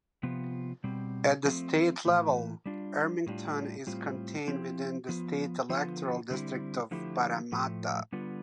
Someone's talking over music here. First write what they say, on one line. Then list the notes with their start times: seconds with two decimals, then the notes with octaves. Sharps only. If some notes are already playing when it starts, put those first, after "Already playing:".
At the state level Ermington is contained within the State Electoral District Of Parramatta.
0.23 C3 F3 B3 F4
0.84 B2 G3 C4
1.45 F3 A3 C4
2.05 A2 E3 A3
2.66 G3 D4 F4
3.27 A2 G3 D4 F4
3.87 A2 G3 C4 F4
4.48 F3 C4 E4 G4
5.09 F3 B3 F4
5.69 D3 F3 B3 F4
6.31 D3 G3 C4 E4
6.91 D3 F3 A3 E4 G4
7.52 A2 F3 A3
8.12 D3 G3 B3 F4